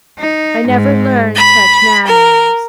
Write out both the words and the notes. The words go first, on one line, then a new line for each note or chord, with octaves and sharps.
I never learned such manners.
D#4
G#2
B5
A#4